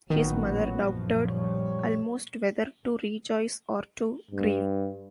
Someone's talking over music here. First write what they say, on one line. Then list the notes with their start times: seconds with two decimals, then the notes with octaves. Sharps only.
His mother doubted almost whether to rejoice or to grieve.
0.10 A1 A#2 D#3 F#3 B3 F#4
0.85 A#1 F#2 F3
1.28 G3 C#5
4.31 G2